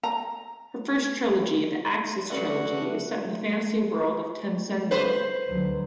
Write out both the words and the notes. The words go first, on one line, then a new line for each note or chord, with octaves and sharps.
Her first trilogy, "The Axis Trilogy", is set in the fantasy world of Tencendor.
A#5
G2 D3 E3 A3 C#4 F#4 F#5 B5
B4 C5
D2 F#3